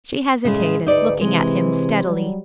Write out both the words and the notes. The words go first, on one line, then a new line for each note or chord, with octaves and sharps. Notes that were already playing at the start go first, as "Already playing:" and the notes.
She hesitated, looking at him steadily.
A2 C#3 G#3
D2 G#2 D#4 B4 D5
C3 E3 G#3
F#3 G3